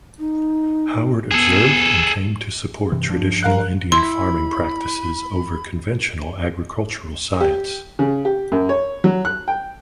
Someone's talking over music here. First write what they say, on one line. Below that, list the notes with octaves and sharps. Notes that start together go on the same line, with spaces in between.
Howard observed and came to support traditional Indian farming practices over conventional agricultural science.
D#4
B3 G#4 A4
G2 C3 E3
G2 F3 D4
A#4 F5 F#6
E4 B5 C6
G4
C#3
G4
F#2
C#5
F#3
F#6
G5